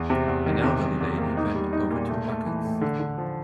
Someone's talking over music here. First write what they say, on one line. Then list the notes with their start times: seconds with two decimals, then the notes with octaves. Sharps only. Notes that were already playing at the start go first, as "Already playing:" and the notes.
An elderly lady bent over two buckets.
Already playing: E2
0.10 C3
0.28 E2
0.46 D#3
0.64 C3
0.82 E2
1.01 E2
1.18 A#3
1.37 D#4
1.55 G3
1.73 D#4
1.90 A#2
2.09 A3
2.28 A3
2.46 E3
2.64 A2
2.81 D3
3.00 D3
3.18 F3